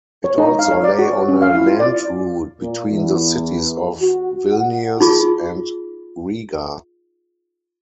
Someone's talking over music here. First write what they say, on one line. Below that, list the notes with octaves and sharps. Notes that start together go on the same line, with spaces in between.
It also lay on a land route between the cities of Vilnius and Riga.
C#5
D#4
F5
C#5
D5
F#4
C#5
C#4
F5
E4
F4
D5
A#2
E2
F#4
F#5
D#4 F4 G#4